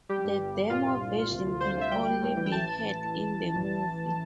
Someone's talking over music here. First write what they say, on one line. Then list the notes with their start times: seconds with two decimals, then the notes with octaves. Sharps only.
The demo version can only be heard in the movie.
0.09 G3 G4
0.24 G2
0.39 G1
0.55 G2
0.70 A#2 F4
0.85 C2
1.00 C2
1.15 C2
1.30 D2
1.46 D2
1.60 D2 C5
1.71 C5
1.76 D2
1.81 E5
1.91 G3 G5
2.07 G3
2.22 A2
2.37 E3
2.46 G5
2.52 A1 A5